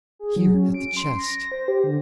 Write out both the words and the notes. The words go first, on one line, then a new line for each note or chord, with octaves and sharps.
'Here, at the chest.
G#4
F#3
C#4
D7
C6
A#6
C5
G4
D3